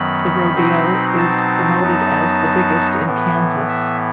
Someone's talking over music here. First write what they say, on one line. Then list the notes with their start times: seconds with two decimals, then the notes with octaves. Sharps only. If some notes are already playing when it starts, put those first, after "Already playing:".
The rodeo is promoted as the biggest in Kansas.
Already playing: F#2 D#3 F#3 B3 B5
0.55 B2 F#3 C4 D#4
1.18 A5
1.80 F#2 F#3 B3 D#4
3.06 A2 E3 B3
3.69 E5